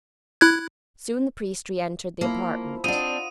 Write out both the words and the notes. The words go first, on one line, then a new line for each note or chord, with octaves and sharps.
Soon the priest re-entered the apartment.
E4 F#6 G#6
F3 A#3 E4
C4 D4 F4 D#5 F#5 D#6 D#7